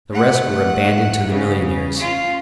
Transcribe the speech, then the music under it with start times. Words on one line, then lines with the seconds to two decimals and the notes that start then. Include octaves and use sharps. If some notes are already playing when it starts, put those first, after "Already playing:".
The rest were abandoned to the millionaires.
0.12 A3 F#5
1.30 C#3 C#4
1.98 C#4 F4